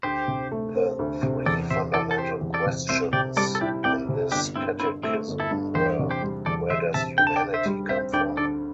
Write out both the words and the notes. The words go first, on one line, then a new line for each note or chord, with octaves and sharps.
The three fundamental questions in this catechism were: Where does humanity come from?
D2 G4 C5
C3
A3
C4
D2
C3
E2 A4 D5
C3 C5 E5
E3 A4 D5
A4
C4 G4 C5
E2
A4 D5
C3
C2 C5 E5
C3 D5 G5
G3 A4 D5
A4
D4 E4 G4
C2 D5 G5
C3
G1 D4 G4
G2 C4 E4
D3 C4 E4
A3 C4 E4
G1
E4 A4
G2
E2 G4 C5
C3
G4 C5
G3
E2 A4 D5
E2 C5 E5
C3 E5 A5
D2 G5
A5
D5 G5
D3
C5 E5
G3
C4 C5 E5
D2 D5 G5
D3 A4 D5